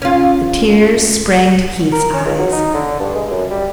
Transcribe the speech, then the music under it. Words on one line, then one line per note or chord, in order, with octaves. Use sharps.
The tears sprang to Keith's eyes.
C#4 F4
A#4
C#4
C#2
F#3
D#4
D3
G2
G#3
F#2
G3